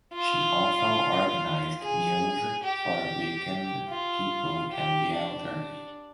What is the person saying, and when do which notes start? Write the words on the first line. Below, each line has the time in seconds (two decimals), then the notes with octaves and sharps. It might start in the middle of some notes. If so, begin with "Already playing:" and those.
She also organized meals for weakened people and the elderly.
0.13 F4
1.80 G#4
2.63 G4
3.88 F4
4.72 G4
5.14 D4